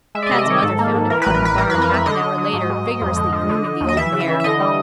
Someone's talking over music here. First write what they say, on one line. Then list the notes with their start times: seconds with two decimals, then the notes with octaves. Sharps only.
Tad's mother found him out in the barn half an hour later, vigorously grooming the old mare.
0.15 G#3 E5
0.22 D5
0.26 D#5
0.31 C3
0.39 D#5
0.46 D#3 C#5
0.62 G#2 A4
0.79 A#3
0.94 G#2
1.10 E3 A#4
1.22 A1 B4
1.35 A#4
1.42 A1 B4
1.58 E3 A#4
1.70 F2 B4
1.82 A#4
1.90 F2 E5
2.06 D3 D#5
2.22 D3
2.38 F#3
2.53 G#2
2.70 G#2
2.86 G#2
3.02 F2
3.16 D3
3.32 F3
3.49 D3
3.64 D3
3.81 D#2
3.89 D#5
3.97 E3 E5
4.12 C#3
4.20 E5
4.28 E3
4.40 E5
4.44 D3 D#5
4.60 G3